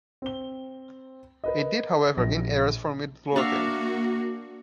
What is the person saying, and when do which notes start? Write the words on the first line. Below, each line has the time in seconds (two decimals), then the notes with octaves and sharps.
It did however gain areas from Midlothian.
0.22 C4 G7
1.44 A#4 B4 D#5
2.17 A#1 A#6
3.36 A#3 D4 F#4 E5 F5